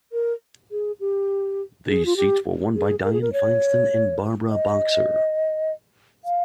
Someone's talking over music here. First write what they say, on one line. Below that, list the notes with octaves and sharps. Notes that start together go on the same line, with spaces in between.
These seats were won by Dianne Feinstein and Barbara Boxer.
A#4
G#4
G4
G#4
F4
G4
G#4
A#4
G#4
A#4
C#5
D#5
F5